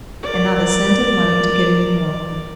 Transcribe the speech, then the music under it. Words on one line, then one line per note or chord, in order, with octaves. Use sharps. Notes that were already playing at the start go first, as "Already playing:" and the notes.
And not a cent of money to get any more with!
A#4 D5